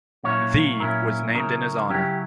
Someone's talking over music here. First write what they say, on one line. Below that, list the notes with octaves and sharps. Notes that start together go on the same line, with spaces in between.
The was named in his honor.
A#2 F#3 C#4 E4 C#5
A#2 F#3 C#4 E4 A#4
C#3 F#3 C#4 E4 A#4
C#3 F#3 C#4 E4 G4